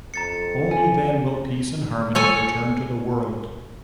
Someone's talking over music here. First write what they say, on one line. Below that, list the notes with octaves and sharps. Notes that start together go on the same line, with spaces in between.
Only then will peace and harmony return to the world.
F2 A#5 A6 C#7
G#5
A4 C#5 G#5